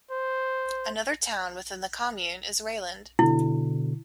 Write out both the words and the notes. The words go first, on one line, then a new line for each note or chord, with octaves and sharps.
Another town within the commune is Reuland.
C5
B2 D3 E4